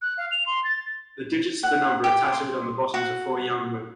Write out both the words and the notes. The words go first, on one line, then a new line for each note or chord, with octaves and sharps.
The digits of the number are tattooed on the bottoms of four young women.
F#6
F5
F7
C6
A6
F#5
G4
C6
F#4